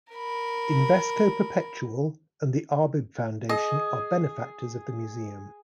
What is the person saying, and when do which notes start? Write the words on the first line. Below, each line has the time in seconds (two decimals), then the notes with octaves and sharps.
Invesco Perpetual and The Arbib Foundation are benefactors of the museum.
0.13 A#4 B5
3.49 G#4 D#5